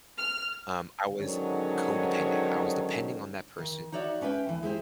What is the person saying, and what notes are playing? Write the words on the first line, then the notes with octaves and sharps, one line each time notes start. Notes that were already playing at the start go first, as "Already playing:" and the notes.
um, I was codependent, I was depending on that person
F6
G#2 D3 D#3 F#3 C#4 C#5
D#3
D#4 F#4 C#5 D5 E5
G#3 C#4 B4 E5 G5
D2 E3
G#3 E4 G4 C5